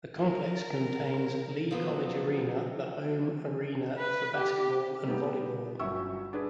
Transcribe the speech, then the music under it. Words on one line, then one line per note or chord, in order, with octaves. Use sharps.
The complex contains Lee College Arena, the home arena for basketball and volleyball.
A#4
F3 F#3 B3
B4
G4
G3 A3 B3 D#4 G4
G1 F#3 C#4 E5 C#6 E6
D4 G#4 B4